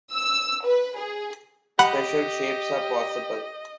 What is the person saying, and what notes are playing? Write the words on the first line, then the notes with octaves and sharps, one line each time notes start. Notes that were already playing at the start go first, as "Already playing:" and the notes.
Special shapes are possible.
E6
B4
G#4
G4 D#5 F#5 B5